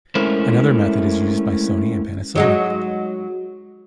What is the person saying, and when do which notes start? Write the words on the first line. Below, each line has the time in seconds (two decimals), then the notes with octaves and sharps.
Another method is used by Sony and Panasonic.
0.15 G#3 A3 C#4 E4 A#4 C5
2.35 F#3 G#3 D#4